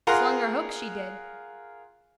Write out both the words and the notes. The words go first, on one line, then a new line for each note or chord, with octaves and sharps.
Slung her hook, she did.
F4 G#4 A#4 F#5 A#5 C6